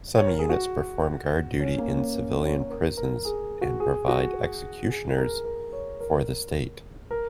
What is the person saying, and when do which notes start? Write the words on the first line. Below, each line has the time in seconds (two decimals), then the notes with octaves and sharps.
Some units perform guard duty in civilian prisons and provide executioners for the state.
0.16 C#5
0.27 A#4
0.39 G#4
0.49 F#4
1.60 C#4
1.78 A#3
1.97 C#4
2.15 A#4
2.42 C#5
2.70 A#4
2.97 A#4
3.25 G#4
3.61 F#4
3.80 G#4
4.08 F#4
4.90 G#4
5.18 A#4
5.45 A#4
5.73 C#5
6.00 A#4
7.11 A#4